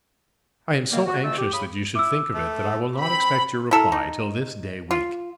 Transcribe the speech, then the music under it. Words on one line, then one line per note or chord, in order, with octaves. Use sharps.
I am so anxious that you should think of it that I will not expect your reply till this day week.
D#3 F#3 G3 A#3
F#4
F2 A3 E6
G4
C#3 B5 D#6
E4 D6 E6
A3
C4 B5
E4 A4 A#4
D#4
F4